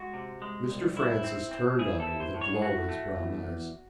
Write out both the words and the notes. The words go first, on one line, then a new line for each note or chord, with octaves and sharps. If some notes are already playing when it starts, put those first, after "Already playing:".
Mr. Francis turned on her with a glow in his brown eyes.
Already playing: G#3 F#4
C3
G#3
C2
E4
C4
C4
E4 G#4
A4
E4
C5
A2
C#5
G#4
A3 F#4
A3
E2
E2